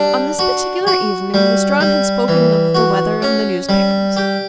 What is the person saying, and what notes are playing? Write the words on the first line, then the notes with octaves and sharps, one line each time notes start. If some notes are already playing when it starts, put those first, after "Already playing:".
On this particular evening, Lestrade had spoken of the weather and the newspapers.
Already playing: G3 D4
F#4
F#4
G3
G3
E3
F#4
C#4
G3
G4